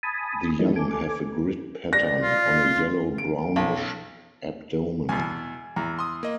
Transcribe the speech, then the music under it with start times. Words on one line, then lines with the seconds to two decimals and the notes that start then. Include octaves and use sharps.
The young have a grid pattern on a yellow-brownish abdomen.
0.03 G#5 A5 B5 D#6
0.59 E3 F#3 G3 A3 C#4 D#4
0.76 A4 G#5 D6
1.93 D5 A#6
2.22 F4
3.18 D7
3.56 B1
5.09 E2 B2 G#5
5.76 E2 A#5
5.99 C6 D#6
6.23 A#3 D#5